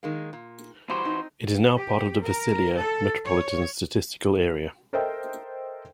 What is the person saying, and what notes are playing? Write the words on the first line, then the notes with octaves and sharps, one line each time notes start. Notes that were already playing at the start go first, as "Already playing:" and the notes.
It is part of the Visalia Metropolitan Statistical Area.
D#3 G#3 A#3
A#2
E3 G3 F#4 C5
C4 D#4
G4
A#4
A4
C#5
A4 A#4 C5 D#5 E5 G5